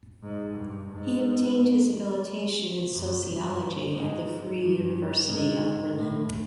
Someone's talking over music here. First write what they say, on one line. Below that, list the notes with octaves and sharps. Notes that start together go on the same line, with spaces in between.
He obtained his Habilitation in sociology at the Free University of Berlin.
G#2
G2
G#2
F#2
G2
G#2
G2
G#2
A2